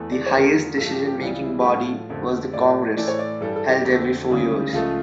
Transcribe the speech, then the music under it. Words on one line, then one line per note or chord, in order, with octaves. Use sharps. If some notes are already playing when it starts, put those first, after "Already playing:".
The highest decision-making body was the Congress, held every four years.
Already playing: E2 E3 A3
D5
C#5
E2 D3 F3 A3 A#4
G2 F3 A3 A4
G4
G4
C#2 C#3 E3 G3 F4
E4
G4
A2 F3 A3 F4
F2 D3 A3
A2 F3 A3 D5
A2 E3 A3 D5
C#5
D5
G2 E3 G3 A4
A4
G4
F2 D3 A3
D2 C#3 E3 G3
C#2 C#3 F3 A3 F4